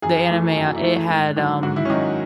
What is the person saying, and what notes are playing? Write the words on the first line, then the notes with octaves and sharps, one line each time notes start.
the anime, uh, it had, um
F#2 G#4
E3 A3
F#2 E4
F#4
E4
E3 A3
G#2
D#3 F#3
G#2 F#4
E4
C#4
D#3 F#3 D#4